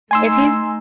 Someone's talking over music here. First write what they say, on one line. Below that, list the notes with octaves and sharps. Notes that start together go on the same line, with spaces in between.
if he's
A3 D#4 G#5 C6 E6